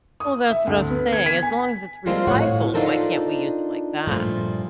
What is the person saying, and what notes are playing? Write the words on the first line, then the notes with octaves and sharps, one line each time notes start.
Well, that's what I was saying, as long as it's recycled, why can't we use it like that?
D#6
E5
D2
B3
G#6
B6
G#5
F3 G3 G#3 A#3 C4 F4
A2 C#5 F5 F#5
D4 D#4 F4 A4 A#4 C5
G2 A#2 F3 A3